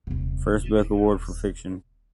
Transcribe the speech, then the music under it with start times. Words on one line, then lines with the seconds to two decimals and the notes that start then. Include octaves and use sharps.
First Book Award for Fiction.
0.07 D#1 C3